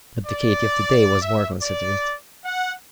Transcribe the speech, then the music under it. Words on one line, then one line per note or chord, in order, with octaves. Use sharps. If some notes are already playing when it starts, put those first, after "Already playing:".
But the Katy of to-day was more considerate.
D5
E5
D5
F#5